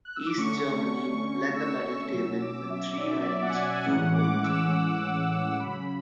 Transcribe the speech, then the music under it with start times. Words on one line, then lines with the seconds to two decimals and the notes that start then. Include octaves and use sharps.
East Germany led the medal table with three medals, two gold.
0.05 F#6
0.16 E6
0.26 D6
0.37 D3 A3 C#4 C#6
1.25 D3 A3 C#4 C#6
1.54 E6
1.83 E6
2.11 B2 F#3 C#4 E6
2.32 E6
2.40 D6
2.70 E5
2.98 B2 F#3 C#4 D5
3.13 E5
3.26 D5
3.42 F#5
3.49 G#5
3.56 F#5
3.75 G#5
3.85 A2 E3 G#3 C#4 F#5
4.14 D6
4.44 E6
4.72 A2 E3 G#3 C#4 D6
5.01 D6
5.60 C#3 F#3 C#4 B5